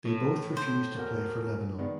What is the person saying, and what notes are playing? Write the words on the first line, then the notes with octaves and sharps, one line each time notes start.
They both refused to play for Lebanon.
A2
C5
E2 F#4 A#4
D#3 G#3 B3 D5